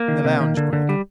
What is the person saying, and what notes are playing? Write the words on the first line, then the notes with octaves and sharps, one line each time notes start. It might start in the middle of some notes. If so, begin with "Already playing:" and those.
"In the lounge, Gregg?"
Already playing: A#3
D#3
C3
D#3
D3
D3
G3